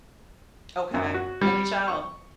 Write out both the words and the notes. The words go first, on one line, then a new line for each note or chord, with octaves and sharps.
Okay. Only child.
F#2
F#4
G3
C#6